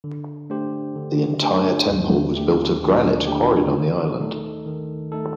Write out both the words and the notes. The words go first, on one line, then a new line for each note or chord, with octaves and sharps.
The entire temple was built of granite quarried on the island.
D3
A3 D4 G4 C5
D3
A3 D4 G4 C5
D#2
D3 A3 D4 G4
D#2
D3 A3 D4 G4
D#3
A3 D#4 A4
D#3
A3 D#4 A4